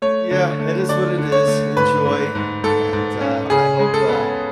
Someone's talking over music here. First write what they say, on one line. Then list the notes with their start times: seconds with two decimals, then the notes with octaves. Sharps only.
Yeah, it is what it is. Enjoy and, uh, I hope, uh,
0.02 A3 C#5
0.31 D3
0.60 A3
0.89 D3 D5
1.18 D3
1.32 C#5
1.48 A3
1.76 G#2 B4
2.05 G#2
2.35 G#2
2.63 G#2 A4
2.93 G#2
3.21 C#4
3.50 C#3 G#4
3.79 G#3
3.94 A4
4.09 B3